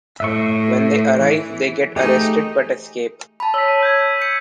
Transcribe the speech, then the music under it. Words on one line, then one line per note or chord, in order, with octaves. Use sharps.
When they arrive, they get arrested, but escape.
A2 E5 C#6
E3
A3 D#4 G4 G#4
A5 B5
C#5 E6 B6
D#7
G6 G#6
C#7